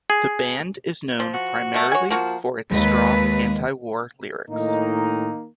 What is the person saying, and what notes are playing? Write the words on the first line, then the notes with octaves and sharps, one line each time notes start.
The band is known primarily for its strong anti-war lyrics.
G#4
F3
F#4
A3 A#4
C#5 G#5
F3 A#3 F#4
D#2 G#3 B4
A2 D#3 A#3 D#4